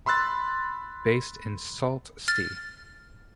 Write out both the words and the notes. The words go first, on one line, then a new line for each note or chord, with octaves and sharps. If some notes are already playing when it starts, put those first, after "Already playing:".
Based in Sault Ste.
B5 C6 E6 F#6 A6
F6 A6